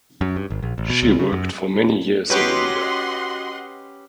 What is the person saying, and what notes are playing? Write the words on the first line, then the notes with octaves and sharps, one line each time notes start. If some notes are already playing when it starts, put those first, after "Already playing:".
She worked for many years in India.
F#2
G2
G#1
A#1
A1
B2
C#2
C#3
F#2
C#4 F#4 G4 B4 C#5 D#5 F#5 C6